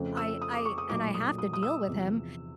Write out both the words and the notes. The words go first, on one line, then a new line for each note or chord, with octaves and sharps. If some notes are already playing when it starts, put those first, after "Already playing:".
I I and I have to deal with him,
Already playing: F2 C#3 F3 A3
E6
D#6
D6
C#6
D#6
B1 A#2 F#3 A3 D6
D#6
D#6
D#6
E6
E2 C3 F3